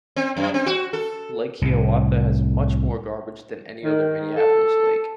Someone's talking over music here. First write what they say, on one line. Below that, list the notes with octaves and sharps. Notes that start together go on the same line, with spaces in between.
Lake Hiawatha has much more garbage than any other Minneapolis lake.
C4
F#2
C4
F#4
A4
C2 A2 C3
D#3
A4